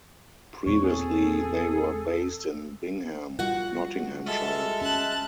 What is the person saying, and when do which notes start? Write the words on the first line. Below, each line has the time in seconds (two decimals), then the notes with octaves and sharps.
Previously they were based in Bingham, Nottinghamshire.
0.66 E2 A#2 C4 C#5
0.84 G#4 A4
3.39 G3 F4 F#4 F#5
4.26 G#3 A4 E5 F6
4.81 C#4 A5 F#6